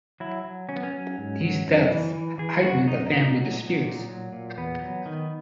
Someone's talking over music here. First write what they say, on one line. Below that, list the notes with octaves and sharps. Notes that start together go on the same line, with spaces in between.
These deaths heightened the family disputes.
F#3 E4
F#3
F#3 C#4
B3
C#4
F#3
G#2
F#3
F#2
E3
E3
E3 G#4
F#2 F#4
F#2 D#4
A#2 D#4
F#3
F#3
A#2
F#3
A#2
E2 B3
F#3
D#3